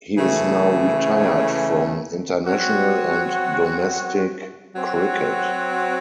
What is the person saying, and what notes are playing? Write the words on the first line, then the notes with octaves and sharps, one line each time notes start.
He is now retired from international and domestic cricket.
C#3 E3 A3
F#3 C4 F#4
F#3 C4 F#4